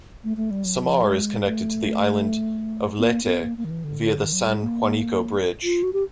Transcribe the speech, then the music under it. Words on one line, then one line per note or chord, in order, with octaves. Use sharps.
Samar is connected to the island of Leyte via the San Juanico Bridge.
A3
A3
G3
F#3
F3
G#3
A3
B3
A#3
B3
A#3
A#3
D#3
E3
D3
D#3
F#3
G3
G#3
A#3
F4
F#4
G4